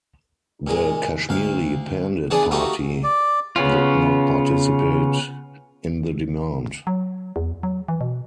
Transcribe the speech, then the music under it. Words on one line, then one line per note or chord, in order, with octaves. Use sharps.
The Kashmiri Pandit party did not participate in the demand.
A#2 G#3
D2 F5
E3 B3 D4 G#4 D5
A3 A#3 D#4 F#4 G4
D5
C#3 B3 C#4 F4
F#3
E2
F#3
E3
B2